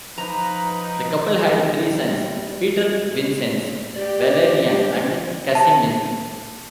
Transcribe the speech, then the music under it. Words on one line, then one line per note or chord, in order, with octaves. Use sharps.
The couple had three sons: Pieter Vincenz, Valerian, and Casimir.
F3 D#4 B4 A#5
G3
G4 D5
A5